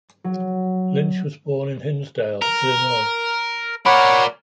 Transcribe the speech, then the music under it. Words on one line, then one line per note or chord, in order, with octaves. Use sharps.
Lynch was born in Hinsdale, Illinois.
F#3
A#4
A#4 C#5 D5 F#5 B5